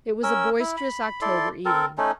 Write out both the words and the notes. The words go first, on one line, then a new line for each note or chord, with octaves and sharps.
It was a boisterous October evening.
C#4 A#4 E6
E4
B5
E4 A4 D5 C6
C4 A4 A#4
A3 C#4 D#4